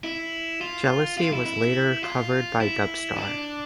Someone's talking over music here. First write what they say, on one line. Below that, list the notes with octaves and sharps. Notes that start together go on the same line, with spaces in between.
Jealousy was later covered by Dubstar.
E4
F4
F4
E4
E4
F4
E4
D4